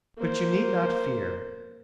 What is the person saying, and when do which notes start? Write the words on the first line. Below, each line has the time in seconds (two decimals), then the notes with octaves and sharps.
But you need not fear.
0.18 A#3 C5